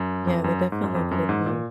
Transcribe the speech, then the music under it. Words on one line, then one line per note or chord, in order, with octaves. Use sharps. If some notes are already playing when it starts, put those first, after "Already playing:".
Yeah, they definitely could be.
Already playing: F#2
F2
F#2
G#2
F#2
F2
F#2
G#2
A#2